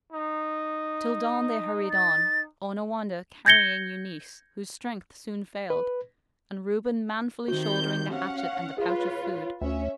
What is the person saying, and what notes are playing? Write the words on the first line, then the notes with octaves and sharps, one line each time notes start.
Till dawn they hurried on, Onawandah carrying Eunice, whose strength soon failed, and Reuben manfully shouldering the hatchet and the pouch of food.
D#4
A6
G6 G#6 A#6 C#7 G7
B4
C3 D#3 F#4 G6
C#4 F5 F#5
F4 G#4 B4 C#5
D2 C#4 E5